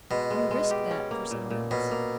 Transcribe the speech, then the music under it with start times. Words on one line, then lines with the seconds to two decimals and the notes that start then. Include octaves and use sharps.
"You risk that for some one else."
0.11 B2 G#3
0.30 G#3
0.51 G#3
0.71 G4
0.91 C#4
1.11 A#3
1.31 A#2
1.50 A#2
1.71 B2 C#4
1.91 A#3